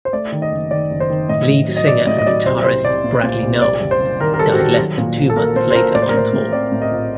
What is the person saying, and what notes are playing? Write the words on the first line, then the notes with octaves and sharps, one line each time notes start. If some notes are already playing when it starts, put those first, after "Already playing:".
Lead singer and guitarist Bradley Nowell died less than two months later on tour.
C5
A3 D5
D#3
D#5
F#1
D#3 D5
F#1
C5
D#3
A2 D#5
A2
F#3
D#5
F#3 D5
A2 D#5
D#5
F#3 D5
C2 C5
C2 C5
C2 D5
A#2
A#2
C2
G3 D5
F#1
C5
F#1
D#3 A#4
A#4
G3 A4
F#4
D#3 G4
F#3 F#4
A#2
A#1
A4
A#2 A#4
A#2 C5
C5
A#2 A#4
A2 D5
C5
A#4
A2 C5
A2
C4 D5
A2
D#5
A#1